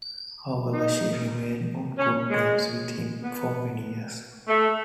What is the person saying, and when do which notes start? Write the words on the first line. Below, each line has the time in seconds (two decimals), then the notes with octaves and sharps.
However, she remained on good terms with him for many years.
0.73 D#4
1.99 C#4
2.30 G#3
3.23 B3
4.48 A3